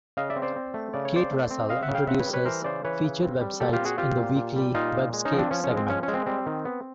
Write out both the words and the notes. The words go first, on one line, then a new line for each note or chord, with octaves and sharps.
Kate Russell introduces featured websites in the weekly "Webscape" segment.
C#3 D#5 F5
D5 E5
C4
C5 D5
C4
A3
C#3 D5
C#5
C4 C5 D5
A3
C4
C#3 D#5 F5
E5 F#5
C#3
F5 G5
C4 E5 F#5
B4 C#5
G3
B4 C#5
E3 A#4 C5
C#3 C5 D5
E3 B4 C#5
C#3
C4
G3
A#2 G4 A4
F4 G4
C4
F#4 G#4
C4 F4 G4
A#2
A#2
G3
A#2 D#4 F4
A#2
G#3
C#4 D#4
F3
C4 D4
F3 C#4
C#4
G#3
C4
F3 C#4
C#4
G#3
C4
G3 C4
D#3
B3